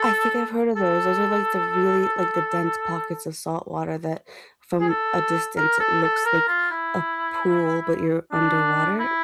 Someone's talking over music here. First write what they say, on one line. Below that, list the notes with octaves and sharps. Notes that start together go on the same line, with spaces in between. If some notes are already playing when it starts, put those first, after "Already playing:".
I think I've heard of those, those are like the really like the dense pockets of saltwater that, from a distance, it looks like a pool, but you're underwater?
Already playing: A4
A4
G#4
A4
A#4
A4
A4
A#4
F4
E4
D4
E4